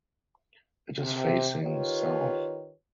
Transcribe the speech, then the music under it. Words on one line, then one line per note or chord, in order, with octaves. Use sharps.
It is facing south.
C3
D#3 F4 G4 B4 C#5